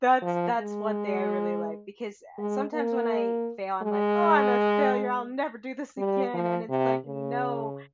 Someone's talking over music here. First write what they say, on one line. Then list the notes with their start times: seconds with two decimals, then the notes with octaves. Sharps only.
that's that's one thing I really like, because a sometimes when I fail, I'm like, "Oh, I'm a failure. I'll never do this again." And it's like, no,
0.22 F3
0.58 G#3
2.38 G#3
2.74 A#3
3.82 G#3
5.97 G3
6.34 F3
6.70 C3
7.06 C#3